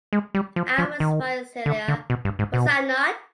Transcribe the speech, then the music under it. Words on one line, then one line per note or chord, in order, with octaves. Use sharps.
I was right, Celia, was I not?
G#3
G3
F3
F3
D#3
D3
D3
B2
G2
G#2
B2